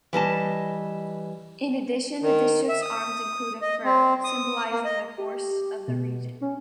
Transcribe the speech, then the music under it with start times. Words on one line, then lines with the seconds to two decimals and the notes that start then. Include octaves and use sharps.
In addition the district's arms include a fir, symbolising the forests of the region.
0.13 E3 G3 D#5 A5
2.22 D#3
2.69 E5
2.82 D#6
3.62 D#5
3.84 C4
4.24 D#6
4.70 A#3
4.85 D#5
5.18 G4
5.88 B2
6.41 C#4